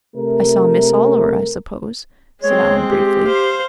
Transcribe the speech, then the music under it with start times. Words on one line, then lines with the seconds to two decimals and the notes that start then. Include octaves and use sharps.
"I saw Miss Oliver, I suppose," said Alan briefly.
0.17 C3 A3 A#4
2.43 G#3 C4 C#5
2.91 G4
3.27 C5 F5